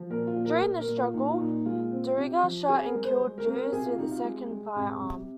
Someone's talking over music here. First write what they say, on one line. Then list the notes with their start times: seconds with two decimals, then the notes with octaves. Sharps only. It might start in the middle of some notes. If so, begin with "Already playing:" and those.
During the struggle Drega shot and killed Joos with a second firearm.
Already playing: F3
0.10 A#2 A#4
0.27 F4
0.36 A#2
0.45 A#4
0.62 A#2
0.79 A#4
0.87 A#2
0.97 F4
1.14 A#2 D#4
1.30 F4
1.39 A#2 D#4
1.65 G#3 F4
1.91 C4
2.17 C3
2.43 F3
2.69 C4 G#4
2.86 A#4
2.95 G#3
3.04 C5
3.21 G#3
3.38 A#4
3.46 C4
3.55 A#4
3.72 C3 G#4
3.85 F4
3.98 C3 D#4
4.11 F4
4.24 G#3
4.50 G#3
4.76 C3
5.01 C3